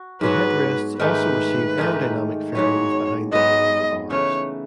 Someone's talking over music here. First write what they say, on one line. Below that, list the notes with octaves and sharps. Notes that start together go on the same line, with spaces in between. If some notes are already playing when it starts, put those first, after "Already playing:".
The headrests also received aerodynamic fairings behind the rollover bars.
Already playing: F#4
G#2 F#3 B3 F#4 B4
G#2 D#3 A3 D#4 B4
G#2 D#3 A3 D#4
G#2 F#3 B3 C#5
G#2 F#3 B3 D#5
C#3 E3 A3 D#4 C#5